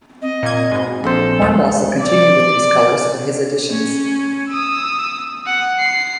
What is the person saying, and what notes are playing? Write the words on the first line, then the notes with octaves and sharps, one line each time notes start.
Hornbostel continued with these colors for his additions.
C4 D#5
A#2 G#6
G#2 B2
A#1 A4 C5
D#2 F3 A3
D5
C#4
D#6 E6
F#5
C7